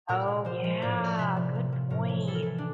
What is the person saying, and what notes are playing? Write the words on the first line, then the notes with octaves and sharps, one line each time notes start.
Oh, yeah, good point.
A#2 A#4
A#2
F3 C5
F3
A2 D5
A2
C3 E5
F3
F3
F3
A2 A#4
E3
E3 A4
A#4
E3 A4
D4